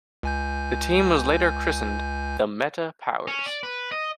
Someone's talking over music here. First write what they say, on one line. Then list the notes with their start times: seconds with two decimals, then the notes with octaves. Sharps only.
The team was later christened "The Meta Powers".
0.23 C#2 G#5 G6
3.28 C#4
3.46 D5
3.63 B4
3.92 D#5